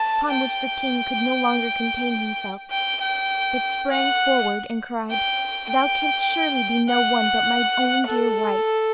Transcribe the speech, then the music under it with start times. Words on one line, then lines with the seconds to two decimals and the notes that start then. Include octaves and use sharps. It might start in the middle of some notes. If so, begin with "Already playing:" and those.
Upon which the king could no longer contain himself, but sprang forward and cried, "Thou canst surely be no one but my own dear wife!"
Already playing: A5
0.32 G5
2.71 G5
3.01 G5
3.91 F#5
5.11 G5
5.70 G5
6.90 F#5
8.09 A4